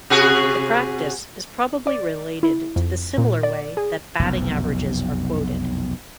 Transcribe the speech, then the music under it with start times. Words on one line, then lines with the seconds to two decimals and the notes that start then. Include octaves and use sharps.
The practice is probably related to the similar way that batting averages are quoted.
0.10 C3 F#4 G#4
1.87 D5
2.43 E4
2.76 F2
3.18 A#2
3.43 D5
3.77 G#4
4.19 F1 B1 F#2